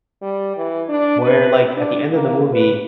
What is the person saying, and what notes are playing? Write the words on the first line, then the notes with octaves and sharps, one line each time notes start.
Where, like, at the end of the movie
G3
E3
D4
B4
D4
A#3
B4